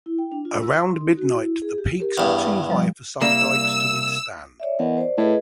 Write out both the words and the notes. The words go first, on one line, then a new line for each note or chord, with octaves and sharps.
Around midnight, the peaks were too high for some dykes to withstand.
E4
G5
D4
F4
E6
C6
D#4
F#4
E4
G#4
G4
G4 A#4
E2 G2
F3 G3
C2 G3 A#3 E6
C#5 D5 E5
E2 A#4 D#5 F#5
C5 D5
A2 G#4 B4 D#5